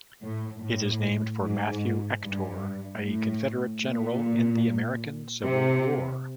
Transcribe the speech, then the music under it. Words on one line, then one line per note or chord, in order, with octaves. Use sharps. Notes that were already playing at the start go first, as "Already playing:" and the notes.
It is named for Mathew Ector, a Confederate general in the American Civil War.
A2
A2
G#2
G2
A2
A#2
C3